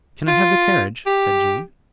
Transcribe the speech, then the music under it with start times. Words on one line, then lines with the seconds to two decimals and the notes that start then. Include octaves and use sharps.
"Can I have the carriage?" said Jane.
0.28 F4
1.06 G4